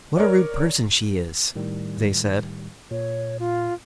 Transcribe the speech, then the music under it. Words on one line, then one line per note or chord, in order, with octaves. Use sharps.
"What a rude person she is!" they said.
A#4 C#5 D5
A2 D#3 G3
A#2 C#5
F4